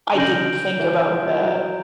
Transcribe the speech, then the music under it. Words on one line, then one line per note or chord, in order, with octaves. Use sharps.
I didn't think about that.
D3
C#3 G6 A#6 D7 F#7
E3
F3
F#3